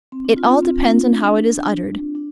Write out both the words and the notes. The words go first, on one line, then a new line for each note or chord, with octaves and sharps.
It all depends on how it is uttered.
C4
D4
F4
F4
C4
D4
D4
D4